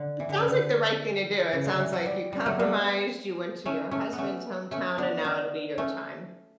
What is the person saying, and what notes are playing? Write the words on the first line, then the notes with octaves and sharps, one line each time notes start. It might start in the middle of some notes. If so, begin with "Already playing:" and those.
It sounds like the right thing to do, it sounds like you compromised, you went to your husband's hometown, and now it'll be your time,
Already playing: D3
E3
D3
C#3
D3
C#3
D3
E3
F#3
G3
G3
F#3 A3
G3 B3
A3 C#4
A3 C#4
B3
A3 C#4
A3 C#4
B3 D4
B3 D4
A3 C#4